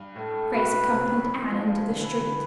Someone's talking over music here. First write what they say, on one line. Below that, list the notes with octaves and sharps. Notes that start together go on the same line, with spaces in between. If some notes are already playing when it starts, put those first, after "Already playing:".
Grace accompanied Anne into the street.
Already playing: G2
A2 A4
B2 B4
C3
E3
F3
G3
F3
E3
D3
E3 B4
D3